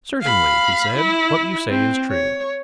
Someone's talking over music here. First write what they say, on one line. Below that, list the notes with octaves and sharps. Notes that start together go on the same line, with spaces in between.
Certainly, he said, what you say is true.
F5 B5
E4
C4
C#5